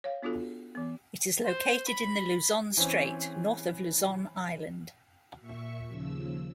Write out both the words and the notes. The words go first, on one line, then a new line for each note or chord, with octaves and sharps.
It is located in the Luzon Strait north of Luzon Island.
C#5 F5
B3 D4 F4 F#4 A4
E3 B3
C5
B5
E3 C4 C#4
A#2 E5 C#6
D#2 C#3 F3 E6